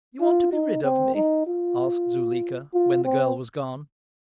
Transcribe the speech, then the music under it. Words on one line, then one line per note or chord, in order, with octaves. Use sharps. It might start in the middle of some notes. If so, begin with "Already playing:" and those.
"You want to be rid of me?" asked Zuleika, when the girl was gone.
F4
D#4
C4
D#4
F4
F4
C4